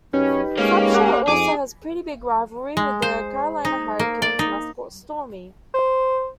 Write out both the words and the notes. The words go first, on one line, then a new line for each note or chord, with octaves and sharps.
Slapshot also has a pretty big rivalry with the Carolina Hurricanes mascot Stormy.
F#2 C#4 D#4 G4 B4
G#3 A#3 C#4
G4 A#4 F#5
F2 D#4 G#4 D6
G#3
C5
D#4
A#3
D5
D#4
C5